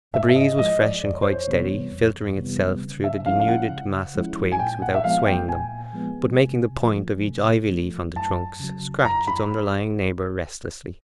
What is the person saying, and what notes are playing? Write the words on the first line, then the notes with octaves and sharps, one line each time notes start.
The breeze was fresh and quite steady, filtering itself through the denuded mass of twigs without swaying them, but making the point of each ivy-leaf on the trunks scratch its underlying neighbor restlessly.
G#2 E5
E5
D#5
F3 G#3 D#5
D5
F2 D5
C#5
C5
C#5
C3 E3 G3 B3
F2
C3 E3 G3 B3
C#3
E5
F3 G#3 C#4 E4 F5
F5
F#5
C#3
F3 G#3 C#4 E4
G#5
A#2 G5
F#5
E5
F3 G#3 B3 F5
G5
A#2 G#5
F3 G#3 B3
C3
F3 A3
C3
F3 A3
F#2 A5
C#3 F#3
F#2 A#5
B5